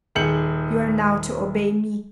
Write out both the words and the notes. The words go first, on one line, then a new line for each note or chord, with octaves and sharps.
You are now to obey me.'
D#1 G#4 G6 C#7 F#7